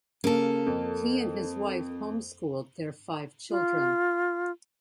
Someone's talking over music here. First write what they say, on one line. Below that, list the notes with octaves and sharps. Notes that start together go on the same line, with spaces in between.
He and his wife homeschooled their five children.
C#3 A#3 A4
F2
F4